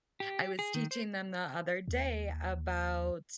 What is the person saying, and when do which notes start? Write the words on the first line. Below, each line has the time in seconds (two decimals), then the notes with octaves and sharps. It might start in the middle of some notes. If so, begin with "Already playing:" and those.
I was teaching them the other day about
0.20 G4
0.59 G#4
0.74 D#3
0.91 C5
1.88 D#2